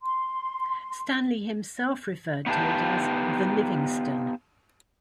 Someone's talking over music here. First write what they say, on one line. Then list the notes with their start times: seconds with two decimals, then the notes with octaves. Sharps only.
Stanley himself referred to it as the Livingstone.
0.01 C6
2.46 B3 D#4 F4 G4 B4 A5